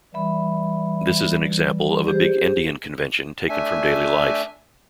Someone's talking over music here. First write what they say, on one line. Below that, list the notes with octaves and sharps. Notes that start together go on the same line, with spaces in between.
This is an example of a big-endian convention taken from daily life.
E3 G3 E5 B5
G4 G#4 C5
A3 D4 E5 G#5